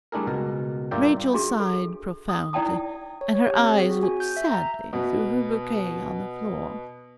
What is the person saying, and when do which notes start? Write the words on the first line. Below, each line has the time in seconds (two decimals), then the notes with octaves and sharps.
Rachel sighed profoundly, and her eyes looked sadly through her bouquet on the floor.
0.12 G3 A3 D4 E4 G#4 A#4
0.27 C#2 B2 A#4
0.91 G2 F4 A#4 D5 E5 G5
1.33 D4 F#4 G#4
1.60 A4
2.29 D#6
2.53 D#4 E4 D5 G5 A5 D#6
3.21 C#5
3.35 C#5
3.47 G4
3.59 C4
3.76 G#4
3.90 F#4
4.03 G#5
4.20 G6
4.37 E5
4.51 A#5
4.93 B2 B3